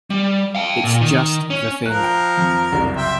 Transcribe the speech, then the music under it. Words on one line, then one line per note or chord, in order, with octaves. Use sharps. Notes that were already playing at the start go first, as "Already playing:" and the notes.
It's just the thing.
G3
F5 G5
A#2
D#3
C#4
F3 A#4 F#6
G5
F2
F#1 C2 F#2
E5 G5 C6